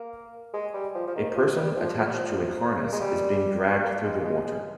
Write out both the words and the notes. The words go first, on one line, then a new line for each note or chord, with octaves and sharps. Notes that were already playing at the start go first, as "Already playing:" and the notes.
A person attached to a harness is being dragged through the water.
Already playing: A#3
G#3
G3
F3
F3
D#3
D#3
F3
G3
F3
F3
G3
F3
A#3
G#3
G3
A#3
G#3
A#3
G#3
G#3